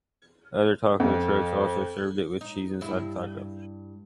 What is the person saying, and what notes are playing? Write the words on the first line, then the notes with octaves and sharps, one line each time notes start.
Other tacos trucks also served it with cheese inside the taco.
F2
D#4
G2 E4